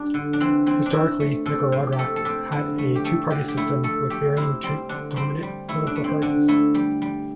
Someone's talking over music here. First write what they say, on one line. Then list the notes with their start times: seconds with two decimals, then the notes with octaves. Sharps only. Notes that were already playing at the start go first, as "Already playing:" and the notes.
Historically, Nicaragua had a two-party system, with varying two dominant political parties.
Already playing: G3 D4
0.14 D3
0.33 D4
0.40 E3 C4
0.66 E3 C4
0.86 D4
0.93 E3 E4
1.20 A3
1.46 C3 A4
1.72 C3
1.92 G4
1.99 A3 A4
2.16 A4
2.25 C3 G4
2.52 D3 E4
2.78 A3
2.95 G4
3.04 A3 A4
3.31 D3 G4
3.48 G4
3.57 A3 E4
3.84 A3 A4
4.10 A3 G4
4.37 C3 E4
4.63 G3 C4
4.89 D3 D4
5.16 G3 C4
5.43 G3
5.68 A3 E4
5.87 D4
5.96 A3
6.04 C4
6.22 D3 D4
6.48 A3 E4
6.74 G3 G4
7.02 G3